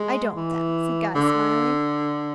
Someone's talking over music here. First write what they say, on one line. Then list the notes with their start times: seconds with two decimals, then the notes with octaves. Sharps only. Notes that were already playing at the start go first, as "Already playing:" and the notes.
'I don't, then,' said Guy, smiling.
Already playing: G#3
0.36 E3
1.15 D3